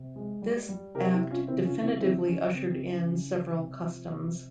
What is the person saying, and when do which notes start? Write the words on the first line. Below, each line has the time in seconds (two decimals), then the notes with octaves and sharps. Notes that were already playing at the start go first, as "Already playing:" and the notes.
This act definitively ushered in several customs.
Already playing: C3
0.16 G#3
0.42 G3
0.69 G3
0.95 C3 G4 A#4
1.12 E4 G4
1.22 C3
1.31 C#4 F4
1.47 C#3 C4 E4
1.65 C#4 F4
1.75 E3
1.82 C4 E4
2.00 C#3 C4 E4
2.26 G3 C#4
2.53 C#3 C4
2.71 C4
2.79 E3
2.88 C#4
3.06 C#3
3.32 G3
3.59 C3
3.84 F3
4.10 C3